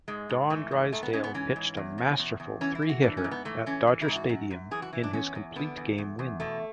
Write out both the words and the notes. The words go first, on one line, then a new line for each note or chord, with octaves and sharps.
Don Drysdale pitched a masterful three-hitter at Dodger Stadium in his complete-game win.
G#2 G#3
G#2
E3 A3
G#2
G#2 A3
B3
G#2 C#4
B3
E3 C#4
G#2
E2
B2
E2
E2
E3 C#4
E4
E3
F#4
E3 D4
C#4
G#2
B3
E3 A3
E3 C#4
E3
E4
G#2
F#4
F#2
F#2
E3 G#4
F#4
E3
D4
E2 C#4
E2
D3 B3
E2
E2
E2
B2 A3